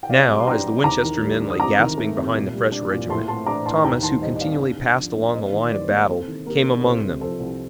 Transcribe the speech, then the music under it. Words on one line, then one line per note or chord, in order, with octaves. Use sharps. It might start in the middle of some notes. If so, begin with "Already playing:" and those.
Now, as the Winchester men lay gasping behind the fresh regiment, Thomas, who continually passed along the line of battle, came among them.
G5
C3 D5 F5
G3 D6
C6
D4 G5 A#5
C3
D#2 A#5 D6
D#3
G3
D4
D#6
C3 A#5 D6
D#3
A3
C3
A#2
G3
D4
A#2
A2 A5 C6
A3 A5 C6
D4 A#5 D6
A2 A5 C6
D#2 G5 A#5
D#3 A5 C6
G3 C5 D#5
D#5
C4 D5 F5
G2
D3
F3
A#3
C3 C5 D#5
D#3
G3 D5
C5
A#3 A#4 D5
C3 A4 C5
D#3
A#3 G4 A#4
D4
A#4
C2 A4 C5
C3
F3 A4 C5
C2